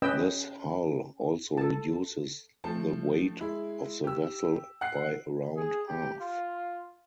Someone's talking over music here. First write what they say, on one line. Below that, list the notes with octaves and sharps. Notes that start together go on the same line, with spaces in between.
This hull also reduces the weight of the vessel by around half.
C#4 B4 D#5 G5 E6
A4 A5
F3 A3 C4 A5
G#3 E4
G4 E6
F#5 F#6 C7
G#4
G4
F4